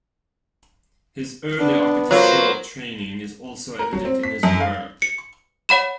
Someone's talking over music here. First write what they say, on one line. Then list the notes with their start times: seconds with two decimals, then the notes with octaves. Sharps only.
His early architectural training is also evident in his work.
1.60 B3 D4
2.11 F#3 F4 A#4 C5
3.79 A#4
3.93 F#3
4.05 C4
4.23 B6
4.43 F#2
4.60 F5
5.02 C#7
5.69 C#5 F#5 B5 E7